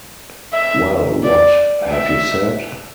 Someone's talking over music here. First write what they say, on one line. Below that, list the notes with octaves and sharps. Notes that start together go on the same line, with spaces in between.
Well what have you said?
E5
D5
E5